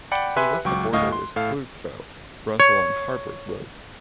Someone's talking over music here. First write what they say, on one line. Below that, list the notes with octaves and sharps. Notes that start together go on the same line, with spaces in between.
To the west the border with Brookvale runs along Harbord Road.
D5 F#5 G5 B5 C#7
G4 B4 E5 G#5 C6 F#6
C#2 F#3 G5 C#6 D6
D2 A2 D#5 F5 C#6 D#6
C6
A2 A4 F5
C#5